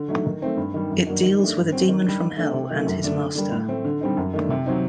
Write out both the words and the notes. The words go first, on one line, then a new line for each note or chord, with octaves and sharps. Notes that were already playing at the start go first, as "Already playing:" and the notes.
It deals with a demon from Hell and his master.
Already playing: D3
F#3 A3 D#4
D#3
A3 C4 D#4
G2
D#3 G3
F#2
D#3 F#3 A#3 D4
D#3
A3 D4
G2
F#3 C4
D#3
G3 D4
D#3
A3 D4
C3
D#3 F#3 A3
F#2
D3 A3 D4
D3
G3 A#3 D4
A2
A3 C4
D3
G3 C4 D#4
F#2
D#3 A3 D4
C3
F#3 C4 D#4